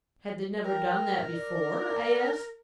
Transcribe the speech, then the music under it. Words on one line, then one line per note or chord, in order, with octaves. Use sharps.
"Had they never done that before?" I asked.
A#4 G5
D5